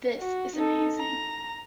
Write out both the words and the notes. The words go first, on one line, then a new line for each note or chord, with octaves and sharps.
This is amazing.
F#4
D#4 A4
A#5